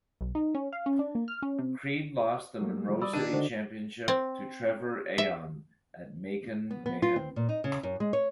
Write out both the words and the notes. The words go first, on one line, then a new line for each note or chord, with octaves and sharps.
Creed lost the Monroe City Championship to Trevor Aeon at "Macon Mayhem".
B1
D#4
C#4
F5
C#4
D4
A#3
F6
C#4
C3
F#3 A3 A#3
F3 G3
D5 B5 D#6 E6
D#3 D4 D#5 E6 D#7
D3 F#4 A4 C5 D#5
C4
E5
B3
B3
F4
C4
A#2
D#4
C#3
F#2
G#3
C#5